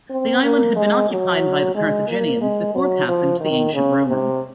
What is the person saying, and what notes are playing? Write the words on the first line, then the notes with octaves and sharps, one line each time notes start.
The island had been occupied by the Carthaginians before passing to the ancient Romans.
C4
A#3
G#3
F#3
G#3
A#3
G#3
F#3
F3
D#3
C#3
C3